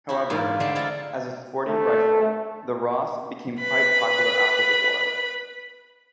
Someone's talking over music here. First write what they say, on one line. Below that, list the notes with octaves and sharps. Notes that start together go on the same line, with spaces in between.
However, as a sporting rifle, the Ross became quite popular after the war.
E4 F#4 G4
G#2 E3 D4 F4
D3 G#3 A3 C4 D4
E4 F4 A4 A#5
A3
B4 B5